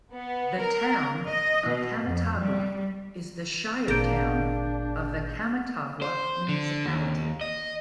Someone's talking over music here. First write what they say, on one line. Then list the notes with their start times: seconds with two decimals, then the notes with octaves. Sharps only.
The town of Camatagua is the shire town of the Camatagua Municipality.
0.15 B3
0.60 A#4
1.27 D#5
1.68 B2
2.07 F2
2.38 G3
3.88 G#1 A#2 A#3 D4 G#4 G6 D7
6.02 C5
6.49 D3
6.86 D#2
7.41 D#5